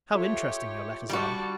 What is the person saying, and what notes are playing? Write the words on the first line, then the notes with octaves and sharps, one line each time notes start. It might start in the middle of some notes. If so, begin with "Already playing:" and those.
How interesting your letters are!
F4 G4 A4 C#5 E5
G3 F#4 D5 A5